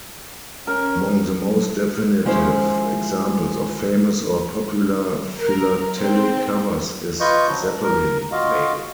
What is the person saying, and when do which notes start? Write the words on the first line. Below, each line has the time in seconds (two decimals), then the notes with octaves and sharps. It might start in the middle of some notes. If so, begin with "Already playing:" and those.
Among the most definitive examples of famous or popular philatelic covers is Zeppelin mail.
0.67 C#4 A#4
2.25 F3 G#3 C#4 E4 C5
5.39 A#4
6.01 C4
7.20 F4 B4 D#5 C#6 G6
7.48 F3 F#3
7.82 A#4
8.32 F4 F#4 D#5 F5